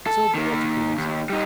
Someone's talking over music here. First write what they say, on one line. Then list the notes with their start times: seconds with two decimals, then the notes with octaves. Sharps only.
Silver water-coolers.
0.06 A4
0.35 D#3 A#3
0.98 D#2
1.29 G3 D#4